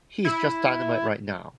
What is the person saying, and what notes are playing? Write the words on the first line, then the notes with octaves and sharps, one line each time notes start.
He is just dynamite right now.
E4